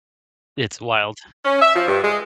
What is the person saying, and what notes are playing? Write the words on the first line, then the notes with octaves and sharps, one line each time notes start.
It's wild.
C#4
E5
F3
G2
G#3